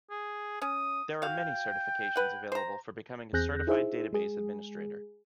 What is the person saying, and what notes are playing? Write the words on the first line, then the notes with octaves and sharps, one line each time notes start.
There are many certifications available for becoming a certified database administrator.
G#4
C#4 D#6
F#4 F5 G5
B4 F#5
C5 A#5
E2 C4 G#4 F#6 G6 A#6
D#4 E4 G#4 C5 E5
G#3 G#4